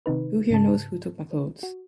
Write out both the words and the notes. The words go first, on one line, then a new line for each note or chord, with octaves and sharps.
Who Here Knows Who Took My Clothes?
C3 D#3 D#4 B4
G#2 C#3 A5
F#4